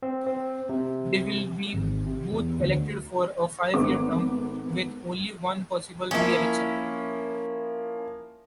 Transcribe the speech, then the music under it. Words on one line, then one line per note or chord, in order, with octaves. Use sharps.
They will be both elected for a five-year term, with only one possible reelection.
C4
C4
C3
G#1
C3
E2
D2
G#1 A3 B3 D6
F3 A#3 C#4 E4